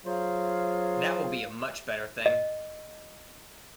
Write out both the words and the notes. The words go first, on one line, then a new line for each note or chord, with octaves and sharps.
That will be a much better thing.
F#3 F4 G#4 C5 F5
D#5